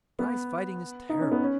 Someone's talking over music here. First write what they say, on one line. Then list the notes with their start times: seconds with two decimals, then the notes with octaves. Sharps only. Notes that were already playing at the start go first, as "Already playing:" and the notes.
Prize-fighting is terrible.
0.19 B3
1.09 D#4
1.21 C#4
1.32 B3
1.43 C#4